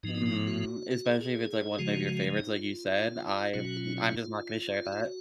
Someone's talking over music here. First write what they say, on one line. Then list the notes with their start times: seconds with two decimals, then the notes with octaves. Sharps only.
Mhm. Especially if it's, like, one of your favorites, like you said. I w I'm just not gonna share that.
0.03 G#2 F3 B3 D#4
0.15 D#4
0.26 D#4
0.47 F#4
0.91 F#4
1.06 G#4
1.21 G#4
1.79 C#3 F3 G#3 F#4
2.37 D#4
2.52 F4
3.54 B2 F#3 C#4 F4
3.65 F#4
3.77 F4
3.97 F4
4.85 F#4
4.92 F4
5.00 F#4